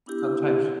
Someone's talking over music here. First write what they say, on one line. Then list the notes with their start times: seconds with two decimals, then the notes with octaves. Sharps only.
sometimes, you
0.06 B3 D4 E4 G4